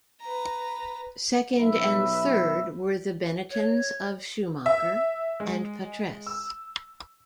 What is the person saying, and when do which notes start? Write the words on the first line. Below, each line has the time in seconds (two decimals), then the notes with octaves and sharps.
Second and third were the Benettons of Schumacher and Patrese.
0.21 B4 A#5
1.57 B1 B4 E5
3.51 C#5
4.66 E5
5.40 G#3
6.27 E6